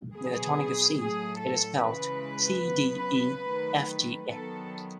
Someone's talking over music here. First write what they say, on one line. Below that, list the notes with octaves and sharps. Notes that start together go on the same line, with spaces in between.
With a tonic of C, it is spelt: C. D. E. F. G. A.
B2 F#3 B3 G#4
A2 F#3 A3 G#4
A4
C#3 E3 G#3 B4
C#3 F#3 B3
D#3 F#3 A3
D#3 F#3 B3 A4